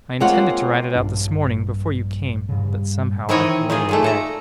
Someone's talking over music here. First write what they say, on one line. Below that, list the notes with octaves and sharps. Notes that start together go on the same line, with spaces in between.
"I intended to write it out this morning before you came; but somehow I lay in bed."
G#3 A#3 C4 F4 C#5 F#5
A#1 G2 D4
G2 C#3
D#3 E3 C4 A#4 C#5 D#5
D#3 F4 G#4
A#2 G#3 A3
A4 A#5